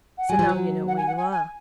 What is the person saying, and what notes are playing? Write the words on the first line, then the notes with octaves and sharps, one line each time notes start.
So now you know where you are.'
F#5
F#3 G#5
F3
F#3
F#5
G#5
F#5
G#5
G#5